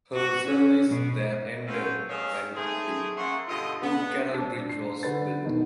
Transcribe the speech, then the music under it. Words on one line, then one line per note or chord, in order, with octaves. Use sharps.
Her service there ended when the Hood Canal Bridge was built.
F#4
C#4
B2
C#4 F#4 A4 B4 C5 F5
A3 G#4 A#4 C#5 D#5 F5
D#3 A3 C4 G#4
C#3 A#3 C#5 E5 F#5 C6
G2 B2 D3 F4 D#5
B3
D4
C7
D3 B4 A6
E1 B2 D#3